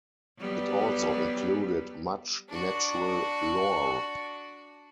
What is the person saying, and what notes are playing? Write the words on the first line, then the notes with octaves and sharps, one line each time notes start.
It also included much natural lore.
F#3 G3 B3
D4 F#4